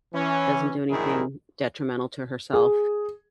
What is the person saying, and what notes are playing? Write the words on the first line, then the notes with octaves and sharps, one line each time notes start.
doesn't do anything detrimental to herself.
E3 C#4
A#1 F#2 D#3 E4 G#4 A#4
G#4